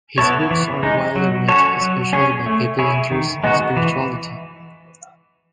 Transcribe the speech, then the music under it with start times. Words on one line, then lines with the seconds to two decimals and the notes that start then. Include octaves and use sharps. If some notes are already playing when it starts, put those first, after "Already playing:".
His books are widely read, especially by people interested in spirituality.
0.18 B3 E4 A4 C#5
0.51 E3
0.83 G#3 D#4
1.16 F#3
1.48 C#4 F#4 A4 C#5
1.81 F#3
2.13 C#4 G#4 C#5
2.46 A3
2.79 E4 G#4 C#5
3.11 D#3
3.44 G#3 B3 D#4 F#4
3.77 E3